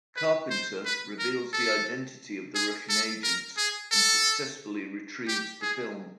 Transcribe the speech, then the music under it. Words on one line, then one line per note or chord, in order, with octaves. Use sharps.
Carpenter reveals the identity of the Russian agents, and successfully retrieves the film.
B4
C5
B4
A#4
A4
G#4
A4
A#4
G#4
A4
G4
G#4